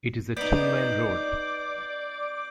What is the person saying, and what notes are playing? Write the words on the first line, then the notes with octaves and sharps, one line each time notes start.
It is a two-lane road.
B3 D#4 D5 D6 G6 C7 F#7